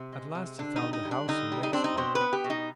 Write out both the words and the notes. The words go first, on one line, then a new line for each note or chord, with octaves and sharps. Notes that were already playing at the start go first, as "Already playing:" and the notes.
At last he found the house in Lake Street.
Already playing: C3
G#3
C3
D3 D4
D#4
G3
D#4
G3
D4
D3 D#4
G3
D#4
C4 D4
D#4
B2 C5
B4
B3
G4
B2
D#4